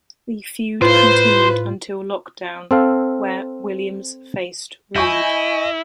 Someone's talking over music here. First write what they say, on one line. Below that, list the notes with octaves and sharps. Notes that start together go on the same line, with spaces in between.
The feud continued until Lockdown, where Williams faced Roode.
A2 F4 B4 C5
C4 A4 F5
E4 D#5 G#5 C#6 G6